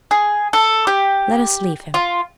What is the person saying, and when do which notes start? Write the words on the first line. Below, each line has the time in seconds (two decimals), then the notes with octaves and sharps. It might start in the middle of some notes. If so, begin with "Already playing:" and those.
Let us leave him.
0.11 G#4
0.53 A4
0.87 G4
1.94 F4